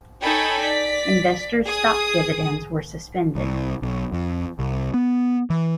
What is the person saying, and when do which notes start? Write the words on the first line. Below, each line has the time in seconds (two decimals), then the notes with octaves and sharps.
Investors stock dividends were suspended.
0.22 D#4 A4 C#5 G5 G#5 B5
0.60 D5 B6
1.67 G#4 D#6
3.35 C2
3.82 B1
4.13 F2
4.59 C2
4.94 B3
5.50 E3